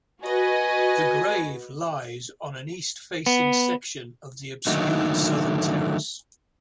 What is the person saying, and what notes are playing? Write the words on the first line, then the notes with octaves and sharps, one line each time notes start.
The grave lies on an east-facing section of the obscured southern terrace.
F#4 B4 D#5 G#5
B3
D3 D#3 F#3 A3 A#3 D#4